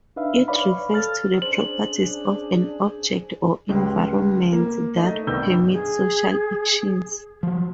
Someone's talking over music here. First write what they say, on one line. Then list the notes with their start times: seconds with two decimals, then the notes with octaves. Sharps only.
It refers to the properties of an object or environment that permit social actions.
0.16 D4 D#4 B4 E5 F5
0.48 B4 C#5 D5 F5 B5
0.93 A4 F6 A6
1.42 C#4 D4 G#4 C5 F#7
3.69 C#2 C#3 G3 G#3
4.53 A#3
4.97 A3 D#4 D#5
5.27 C2 B2 D#3 E6 G6 G7
5.43 G2
5.72 G#4
7.43 F3 F#3